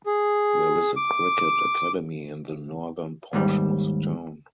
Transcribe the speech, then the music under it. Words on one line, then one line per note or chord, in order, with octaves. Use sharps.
There is a cricket academy in the northern portion of the town.
G#4
D6
D#2 G#2 G3